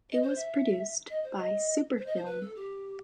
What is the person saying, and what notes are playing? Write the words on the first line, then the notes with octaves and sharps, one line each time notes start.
It was produced by Super-Film.
D#5
C5
E5
D#5
C5
D#5
C5
D#5
C5
B4
A4
G4